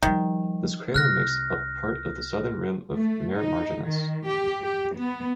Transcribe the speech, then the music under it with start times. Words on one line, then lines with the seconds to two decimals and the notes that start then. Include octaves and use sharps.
This crater makes up part of the southern rim of Mare Marginis.
0.03 D#3 F3 G3
0.94 C2 F6 F#6 A#6
2.94 A3
3.35 D#4
3.86 D#3
4.26 G4
4.64 G4
4.98 B3